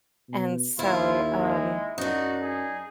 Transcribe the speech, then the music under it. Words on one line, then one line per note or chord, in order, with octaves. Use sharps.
And so, um,
B2
D#2 E4 F4
G#3
F#2 D4 D#4 F#4
G#4